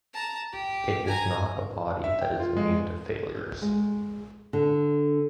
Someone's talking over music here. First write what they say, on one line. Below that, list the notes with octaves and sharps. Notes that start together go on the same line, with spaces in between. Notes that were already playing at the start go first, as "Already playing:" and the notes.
It is not a body that is immune to failures.
A5 A#5
G4
G#5 A#5
E5
G5
F4
G#3
G#3
D3